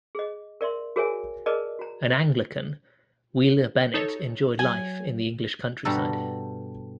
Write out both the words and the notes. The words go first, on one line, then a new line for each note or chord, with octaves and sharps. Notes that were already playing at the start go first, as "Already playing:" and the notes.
An Anglican, Wheeler-Bennett enjoyed life in the English countryside.
G#4 D#5
A#4 D5 E5 C6
F#4 G#4 A#4 C#5 E5 G#5
G#4 A#4 B4 D5 D#5 A5
F#4 A#5
D#4 A4 C#5
F#3 G#5
G2 B2 G3 F#4 A4 A#5